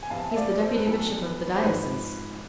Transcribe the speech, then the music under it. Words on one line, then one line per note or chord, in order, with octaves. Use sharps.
"He's the Deputy Bishop of the diocese."
G#5
E2 C3 E3 F5 A5
E5
D5 F5
A4 C5
B4
B1 B2 A4
B4
C5
G#1 G#2 F3 B4